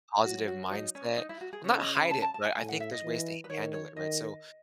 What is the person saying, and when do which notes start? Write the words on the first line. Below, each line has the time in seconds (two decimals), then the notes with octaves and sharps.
positive mindset well, not hide it, but I think there's ways to handle it, right? So,
0.25 F#3 F#4
0.48 F#4
0.71 D#4
0.95 C#4
1.18 D#4
1.29 E4
1.41 F#4
1.53 G#4
1.64 C#3 C#5
1.80 D#5
1.95 B5
2.11 A5
2.22 A5
2.34 A5
2.45 G#5
2.57 A2 G#5
2.69 F#5
2.80 E5
2.92 D#5
3.04 E3
3.44 B4
3.50 D#3 C#5
3.73 C#5
3.96 D#3 D#5